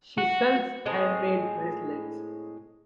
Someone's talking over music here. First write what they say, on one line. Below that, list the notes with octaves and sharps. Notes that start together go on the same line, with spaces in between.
She sells handmade bracelets.
F#4
A2 G#3 C4 G#4